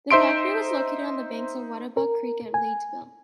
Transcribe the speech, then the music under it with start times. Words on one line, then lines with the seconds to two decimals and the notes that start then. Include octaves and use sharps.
The factory was located on the banks of Webatuck Creek at Leedsville.
0.10 D#4 C5 E5 C6 D7
1.97 A#4
2.54 G#5